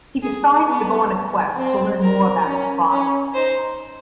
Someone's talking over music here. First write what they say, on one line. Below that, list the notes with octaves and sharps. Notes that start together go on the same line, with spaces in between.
He decides to go on a quest to learn more about his father.
G#4
B3
C4
A#4
C#4
C#4
D#4 C5